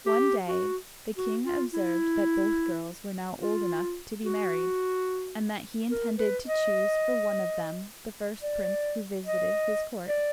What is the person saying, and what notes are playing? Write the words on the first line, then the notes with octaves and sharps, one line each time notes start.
One day the king observed that both girls were now old enough to be married, and that he intended to choose for one of them the first prince who visited his court.
G4
F#4
F#4
F4
E4
F4
F#4
A#4
B4
D#5
D5
D#5
D5